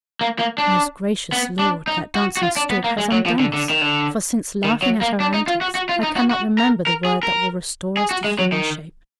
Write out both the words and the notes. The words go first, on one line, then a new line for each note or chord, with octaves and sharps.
"Most gracious lord, that dancing stork has undone us, for, since laughing at her antics, I cannot remember the word that will restore us to human shape."
A#3
A#3
D4
B3
D4
D#4
F#4
F#4
F4
D4
B3
A#3
G#3
F#3
F3
D3
D3
D#3
D3
D#3
F#3
A#3
D4
D#4
F4
F#4
F#4
F4
D#4
F#4
F#4
A#4
A#4
G#4
A#4
G#4
F#4
G#3
F#3
D#3